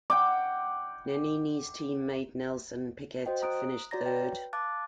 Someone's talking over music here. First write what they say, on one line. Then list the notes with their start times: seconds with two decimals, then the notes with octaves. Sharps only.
Nannini's team-mate Nelson Piquet finished third.
0.10 F#5 G5 D6
3.26 F#4 C5 D#5 G5
3.42 A#5 D#6 F#6 D7
3.91 F#4 C#5 D5 A#5 A6 A#6
4.06 B4 G5
4.53 F5 A5 D6 F#6 A6